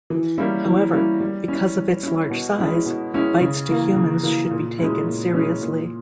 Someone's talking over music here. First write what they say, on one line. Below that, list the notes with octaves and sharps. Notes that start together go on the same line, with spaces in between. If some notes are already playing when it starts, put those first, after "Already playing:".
However, because of its large size, bites to humans should be taken seriously.
E3
G3 A#3 C#4 E4
E3
G3 A#3 C#4 E4
G3
C#4 E4
G3
C#4 E4
B2
G#3 C#4 E4
B2
G#3 C#4 E4
C#3
E3 A#3
C#3
E3 A#3
A#2
G#3 C#4 E4
A#2
G#3 C#4 E4
A#2